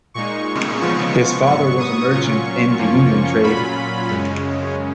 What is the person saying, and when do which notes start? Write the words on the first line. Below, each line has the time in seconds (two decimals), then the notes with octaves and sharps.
His father was a merchant in the Indian trade.
0.14 A#2 G#3 D#4 C#6
0.81 C#3 F3 G#3 B3 F4 C#6
1.46 G#2 F#3 B3 C#6
1.80 D#6
2.12 A#2 F#3 C#4 F4 C#6
2.78 F#2 F3 A#3 C#4 F4
3.44 A#2 F#3 C#4 F4 B5
4.09 F#2 C#3 G#3 C#4